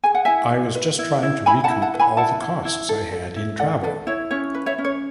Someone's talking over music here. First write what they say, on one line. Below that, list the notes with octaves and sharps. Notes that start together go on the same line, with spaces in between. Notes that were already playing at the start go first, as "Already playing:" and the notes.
I was just trying to recoup all the costs I had in travel.
G#4 G#5
F#5
E4 E5 G#5
E4
B4
E4
E4
E4 G#5 B5
F#5 A5
E4
F#5 A5
B4
G#5 B5
E4 F#5 A5
E4
E4
A4
A4
E4
A4 D5 F#5
A4 B4 D5
E4 C#5
C#4 C#5
B4
C#5 E5
C#4
C#5